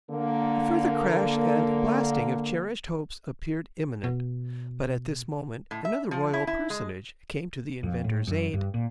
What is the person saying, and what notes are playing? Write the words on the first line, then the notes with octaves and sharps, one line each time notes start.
A further crash and blasting of cherished hopes appeared imminent, but at this moment another Royal personage came to the inventor's aid.
D3 A#3
B2
A2
E5
F3
E4
E4
G#3
F2
A2
F#2
G2
A#2